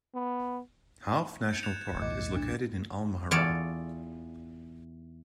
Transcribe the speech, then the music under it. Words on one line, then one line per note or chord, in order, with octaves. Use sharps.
Hauf National Park is located in Al Mahrah.
B3
G6 A6 C#7
F#6 G#6 E7 F7
B1 E2 A2 D#5 D6
D4
E2 F4 C#5 D5 A5